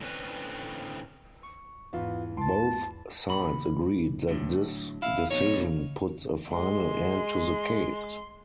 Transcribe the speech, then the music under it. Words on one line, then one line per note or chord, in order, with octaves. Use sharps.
Both sides agreed that this decision puts a final end to the case.
A2 D3 C4 C#4 B4 G#5
C#6
E2 G#2 B3 F4
A5 C6 A6 D7
A#2 B5
A2 D3 F#3
E4 F5
F2 B2 D#4 C#5
G#3 C6